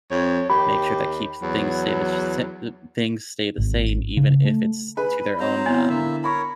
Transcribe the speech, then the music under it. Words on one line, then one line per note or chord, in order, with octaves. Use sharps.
make sure that keeps things stay the sh sa the things stay the same, even if it's to their own, um,
F2 C#5
D#2 G4 B5
E2 F#3
G#1
C#3
A3
G#4 B4 B5
F#3 C4 C5 A#5
B3 E4
D3 A#3 E5
A#4 C#5 B5 C#6